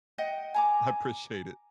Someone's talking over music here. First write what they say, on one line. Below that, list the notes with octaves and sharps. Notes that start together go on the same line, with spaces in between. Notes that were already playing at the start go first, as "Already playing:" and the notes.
I appreciate it.
D#5 F#5 G5
G#5 A#5 D6